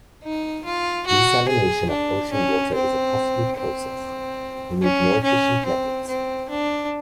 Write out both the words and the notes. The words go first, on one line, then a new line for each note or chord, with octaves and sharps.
Desalination of ocean water is a costly process, we need more efficient methods.
D#4
F4
F#4
G#4
D4
C#4
C4
C4
C#4
C#4
C4
C4
D4